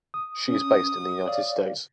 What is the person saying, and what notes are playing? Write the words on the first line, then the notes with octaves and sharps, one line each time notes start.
She is based in the United States.
D#6
C#4 D#6
C#5 D5 F5